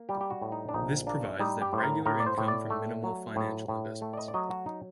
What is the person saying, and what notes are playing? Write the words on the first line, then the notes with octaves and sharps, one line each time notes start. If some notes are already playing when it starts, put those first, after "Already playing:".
This provides them regular income from minimal financial investments.
Already playing: A#3
G3 G4
G4
F#4
A2
D#4
D4
A#1 D#4
A#3 D4
G3 D#4
G4
A2
C5
A#4
A2 A#4
D5
C5
A2
D5
A3
F#3
A2
A2
A3
D5
D#5
D5
F#3 D#5
F#4
D#4